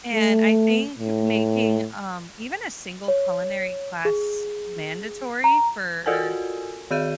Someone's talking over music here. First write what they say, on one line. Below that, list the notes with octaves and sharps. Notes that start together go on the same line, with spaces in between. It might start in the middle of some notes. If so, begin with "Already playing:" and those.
And I think making, um, even a single culinary class mandatory for
A3
A2
C#5
G#4
A#5
F4 F#4 A4 A#4 G#5
D#3 F#4 G#4 G6 D#7